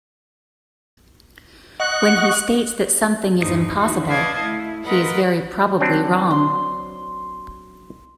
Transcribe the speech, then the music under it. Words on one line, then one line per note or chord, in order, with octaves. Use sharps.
When he states that something is impossible, he is very probably wrong.
D#5 F#5 C#6 F#6
E2 G2 F3 D#4
E3 D#4 F#4
B4 D5 D#5 F5 A5 G#6
A3 E4
F4 A#4 B4 D#5 F#5 B5
F#3 C4 D4
C6